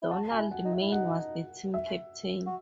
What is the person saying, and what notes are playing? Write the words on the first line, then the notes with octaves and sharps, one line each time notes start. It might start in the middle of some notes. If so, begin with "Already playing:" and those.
Donald Main was the team captain.
E4
F#4 A5
G#5
E4
F#5
D#4
E5
E4
D#4 F#5
E5
F#4